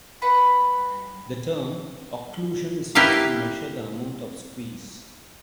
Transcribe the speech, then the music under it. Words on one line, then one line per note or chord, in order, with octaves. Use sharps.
The term "occlusion" is used to measure the amount of squeeze.
B4 F#5 A5 B5
E4 G4 A#4 B4 F5